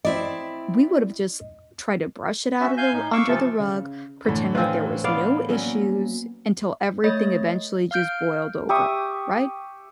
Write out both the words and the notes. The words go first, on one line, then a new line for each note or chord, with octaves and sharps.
we would've just tried to brush it out of the r under the rug, pretend like there was no issues, until everything eventually just boiled over," right?
C4 E4 D5 D#5
C#4 F#4 E5
F5 G#5 G6
A2 D#4
F5 C#6 D6 E6
C3 E3 F3 A3 F4 A4
C#3
A2 D3 E3
C4 F4 B4 C5 G#5
B3 D5 F5
A#2 F#3 A#3 C#4
A3 C#5 D#5 A6
F5 F6 G6 D7
G4 E5 C#6 D#6